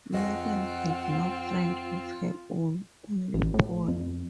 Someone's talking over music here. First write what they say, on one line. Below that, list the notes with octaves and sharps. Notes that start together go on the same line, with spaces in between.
Miriam had no friend of her own, only Paul.
F2 C4 F4 G#4 D#5 F#5
A1
A2
F2